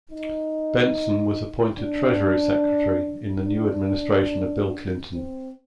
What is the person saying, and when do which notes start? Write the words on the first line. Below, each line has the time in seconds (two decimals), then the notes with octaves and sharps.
Bentsen was appointed Treasury Secretary in the new administration of Bill Clinton.
0.11 D#4
1.78 D4
3.46 D4
5.13 C4